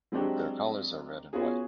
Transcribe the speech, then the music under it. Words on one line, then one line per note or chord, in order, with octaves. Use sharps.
Their colors are red and white.
F#3 G#3 C4 D4 F#4 G4
B3 C#4 F4 F#4 G#4